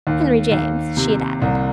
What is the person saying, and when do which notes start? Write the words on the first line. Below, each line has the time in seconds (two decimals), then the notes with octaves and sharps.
Henry James, she had added.
0.07 D#2
0.51 D#2
0.97 C3
1.42 C2